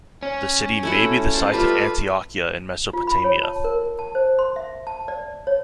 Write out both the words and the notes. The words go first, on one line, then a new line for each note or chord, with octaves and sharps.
The city may be the site of Antiochia in Mesopotamia.
C#4
A3 E4 F#4
C5 A5
G3 A3 F4 B4
F4
B5
C#5
A5
A#4
A5
C5
C6
E5
A5
D5
C#5